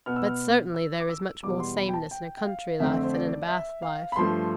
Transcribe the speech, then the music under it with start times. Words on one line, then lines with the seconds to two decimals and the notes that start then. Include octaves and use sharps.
But certainly there is much more sameness in a country life than in a Bath life.
0.06 B2 B3 F6
0.16 E6
0.26 F6
0.74 E6
1.00 D6
1.09 E6
1.43 E2 B2 G3 D6
1.60 C6
1.77 B5
1.89 G5
1.94 A5
2.11 G5
2.37 G5
2.46 F5
2.80 F2 D3 A3 C4 E5
3.03 C5
3.14 D5
3.48 E5
3.82 F5
4.12 B5
4.16 G2 F3 A3 C6